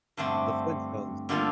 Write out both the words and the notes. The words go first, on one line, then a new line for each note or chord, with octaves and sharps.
M The Flintstones.
G2 D3 A3 C4
D3 G3 A#3 F4 A4